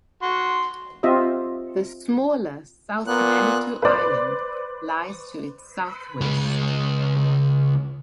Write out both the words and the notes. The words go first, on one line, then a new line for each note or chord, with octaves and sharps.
The smaller South Manitou Island lies to its southwest.
F#4 C6
C4 F4 G4 D#5 E5
A#2 B3 F#6
B4 C5 D5
C#2 G#3